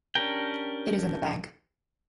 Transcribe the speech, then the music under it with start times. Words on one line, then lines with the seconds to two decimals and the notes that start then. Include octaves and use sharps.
It is in the bank.
0.15 C#4 D4 G4 A#4 G5